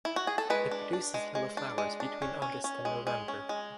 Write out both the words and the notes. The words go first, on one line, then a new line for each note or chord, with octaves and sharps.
It produces yellow flowers between August and November.
E4
F#4
G#4
A4
G#3 B4
D4
D4
G#3
G#3
D4
G#3
D4
C#4
C#4
C#4
G#3
G#3
C#4
G#3